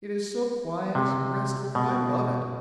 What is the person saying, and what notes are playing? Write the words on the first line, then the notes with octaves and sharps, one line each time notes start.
It is so quiet and restful that I love it.
C3
B2